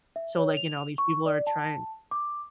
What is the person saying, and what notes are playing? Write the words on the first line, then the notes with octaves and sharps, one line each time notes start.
so, like, you know, these people are trying
E5
C#5
F7
C#6
D5
A5
D6